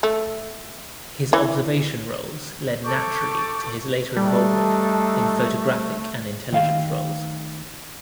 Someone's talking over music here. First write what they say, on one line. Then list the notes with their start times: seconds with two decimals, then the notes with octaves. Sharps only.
His observation roles led naturally to his later involvement in photographic and intelligence roles.
0.03 A3
1.33 E3
2.82 A4 C#6 D6 G6
4.17 G3 A3 D4 D#4 A4
6.52 D#3 A3 F5